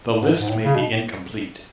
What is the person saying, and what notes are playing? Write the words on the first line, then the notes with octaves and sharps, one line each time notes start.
The list may be incomplete.
G#2
G#2
A2
C#3
B2
A2